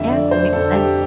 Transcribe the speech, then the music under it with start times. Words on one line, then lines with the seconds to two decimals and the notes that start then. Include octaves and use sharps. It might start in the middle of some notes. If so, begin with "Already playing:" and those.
Yeah, that makes sense.
Already playing: F1 F2 D3 E5
0.10 D5
0.31 C5
0.52 F1 F2 D3 A4
0.74 G4